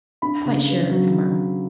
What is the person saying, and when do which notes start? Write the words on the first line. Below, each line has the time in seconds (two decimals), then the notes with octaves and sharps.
"Quite sure," I murmured.
0.22 D4 B5
0.45 C#3
0.69 B3
0.91 F#3